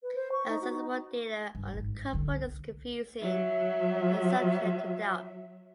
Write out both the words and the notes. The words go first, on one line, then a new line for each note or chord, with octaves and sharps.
Accessible data on the couple is confusing and subject to doubt.
B4
C5
C#6
D#4
F#4
D#4
G2
G#1
C2 D3
F#3 E5